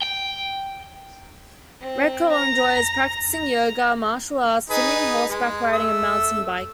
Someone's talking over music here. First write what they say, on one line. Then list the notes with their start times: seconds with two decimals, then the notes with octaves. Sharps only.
Reckell enjoys practicing yoga, martial arts, swimming, horseback riding and mountain biking.
0.03 G5
1.81 C4
2.31 A#5
3.32 A#5
4.70 D#4 G#4 B4
5.30 G#3
5.73 A3 E6